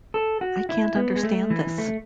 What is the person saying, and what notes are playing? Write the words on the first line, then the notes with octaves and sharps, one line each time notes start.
I can't understand this!
A4
F#4
E4
B3
G#3
A3
E3
A3